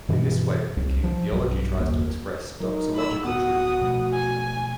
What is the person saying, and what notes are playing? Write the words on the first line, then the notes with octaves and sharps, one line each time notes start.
In this way of thinking, theology tries to express doxological truth.
G2 B2 E3
C2
F3
B1 G2
F#1 D#2
F#3 D#4 A#4
B5 E6
D1 B3 F#4 F#5 D#6
B2 F3 A3
G#5